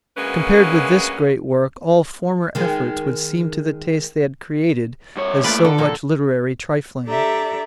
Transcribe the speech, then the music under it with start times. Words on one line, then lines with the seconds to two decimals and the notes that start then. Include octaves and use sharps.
Compared with this great work, all former efforts would seem to the taste they had created as so much literary trifling.
0.17 D2 F#3 G#3 A#3 C#4 B4
2.55 D#3 G#3
5.17 G2 C#5
5.43 A#2 A3 F4 B4 D5
5.65 D3 A4
5.78 A#2 F3
7.06 D4 G4 A4 D5 E5 A#5